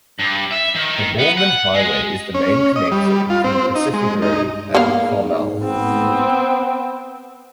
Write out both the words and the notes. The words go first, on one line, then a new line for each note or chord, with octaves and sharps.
The Holman Highway is the main connector between Pacific Grove and Carmel.
G2
E5
D#3
B3
F#5
G#3
C#4
D#5
G3
F4
C4
D#4
G#3
D#4
A#3 B3 F5
B3 C4